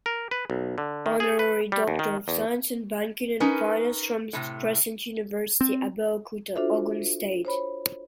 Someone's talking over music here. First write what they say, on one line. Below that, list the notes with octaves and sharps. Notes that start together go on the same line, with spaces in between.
Honorary Doctor of Science in Banking and Finance from Crescent University, Abeokuta, Ogun State.
A#4
B4
B1
D3
D#3
G#4
B4
G3
D#2
D#3
E2
C#4 D#4 A#4 B4
A2 C3
C4
D4 F4 F#4 A4 C5 E5
C5 C#5 B5